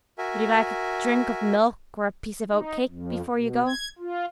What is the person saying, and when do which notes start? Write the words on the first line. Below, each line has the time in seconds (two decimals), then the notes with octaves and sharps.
"Would you like a drink of milk or a piece of oatcake before you go?"
0.18 F#4 A#4 E5 G#5
2.52 D#4
2.86 F2
3.35 B2
3.67 G#6
3.99 F4